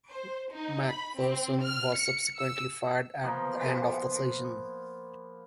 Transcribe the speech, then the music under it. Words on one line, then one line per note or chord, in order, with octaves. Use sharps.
MacPherson was subsequently fired at the end of the season.
C5
D#4
B5
C4
F6
C#7
E6
F3 A#3 B3